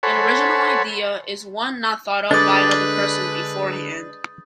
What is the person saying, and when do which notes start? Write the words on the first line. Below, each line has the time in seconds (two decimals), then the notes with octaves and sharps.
An original idea is one not thought up by another person beforehand.
0.03 A4 C5 C#5 F#5 G#5 B5
2.31 D3 G#3 D4 B4 D5 D#6 G6 A6